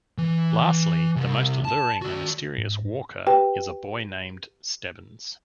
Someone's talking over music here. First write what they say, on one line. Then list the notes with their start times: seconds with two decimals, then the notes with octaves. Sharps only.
Lastly, the most alluring and mysterious Walker is a boy named Stebbins.
0.18 E3
1.16 C2
1.65 A5
2.02 F#4 D5
2.58 G#2
3.27 G4 B4 G5